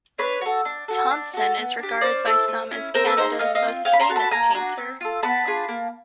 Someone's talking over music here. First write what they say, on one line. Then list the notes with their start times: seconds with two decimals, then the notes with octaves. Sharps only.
Thomson is regarded by some as Canada's most famous painter.
0.18 D4 B4 C#5
0.41 F#4 A4
0.65 D4
0.88 F#4 A4
1.11 D4
1.33 F#4 A4
1.57 B3
1.79 D4 G4
2.01 C#4 C5 D5
2.25 E4 A4
2.48 A3
2.71 C#4 E4
2.94 C4 A#4 C5
3.06 A4 B4
3.17 D#4 A#4 C5
3.21 G#4
3.39 A3 D#5 F5
3.55 D#5 F5
3.62 C4
3.68 F4
3.85 C#4 F5 G5
3.93 B5
4.00 A#5 C6
4.09 F#4 A4
4.16 A5 B5
4.31 A#3 G#5 A#5
4.54 D4 F#4
4.78 C4
5.01 F4 A4
5.23 B3 A5 B5
5.46 D4 F4 G#4
5.69 A#3